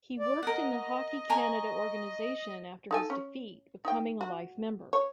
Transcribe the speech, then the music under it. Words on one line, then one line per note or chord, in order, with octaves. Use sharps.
He worked in the Hockey Canada organization after his defeat, becoming a life member.
D5
A#4 D#5 F#5
G#5 A#5 C#6
D#4 A4 G#5
C#4
D#4 G5
F#4
C#5